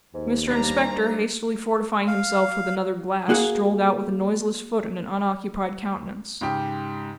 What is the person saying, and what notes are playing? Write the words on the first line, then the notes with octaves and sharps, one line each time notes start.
Mr Inspector, hastily fortifying himself with another glass, strolled out with a noiseless foot and an unoccupied countenance.
D#2 G#2
G#2 G3 A#3 D4 A#5
F5
A#3 F#4 G#4 F5 F#5
G#2 C#3 G4